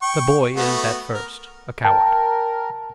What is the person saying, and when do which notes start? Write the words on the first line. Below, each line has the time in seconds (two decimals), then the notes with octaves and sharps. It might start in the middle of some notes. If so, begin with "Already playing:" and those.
The boy is at first a coward.
0.02 G5 C#6
0.57 A3 B3 F#4
1.14 A#4
1.84 A#4 G5 A5